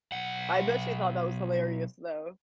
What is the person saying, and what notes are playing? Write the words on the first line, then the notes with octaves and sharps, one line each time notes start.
I bet she thought that was hilarious though.
B1 F#5